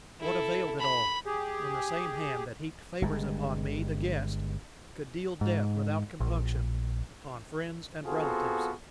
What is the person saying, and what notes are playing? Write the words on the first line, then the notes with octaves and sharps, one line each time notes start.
What availed it all when the same hand that heaped favors upon me, the guest, could deal death without compunction upon friends and relatives?
E4 A4
B5
G4 G#4
G1 G2 G#3
G#2
A#1
B3 C4 F4 F#4 G#4 A4